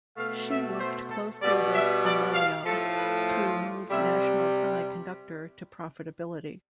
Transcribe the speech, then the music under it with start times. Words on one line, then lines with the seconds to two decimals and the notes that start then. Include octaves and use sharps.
She worked closely with Amelio to move National Semiconductor to profitability.
0.17 B2 A3 F5
0.49 E5
0.79 C5
1.10 A4
1.43 B2 G3 D5
1.73 E5
2.05 D5
2.34 F5
2.66 A2 F3 A3 A4
2.96 B4
3.28 C5
3.90 C3 G3 E5